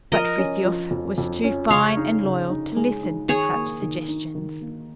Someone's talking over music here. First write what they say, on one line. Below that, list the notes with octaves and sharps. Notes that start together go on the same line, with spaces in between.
But Frithiof was too fine and loyal to listen to such suggestions.
F3 A#4 D#5
C#4
F3
F2
F2
C#4
C#3 C#5 F5
D#4
C#3
D#4
G#3
D#4
D#3 G#4 C#5
A#3
D#3
D#4
D#3
A#3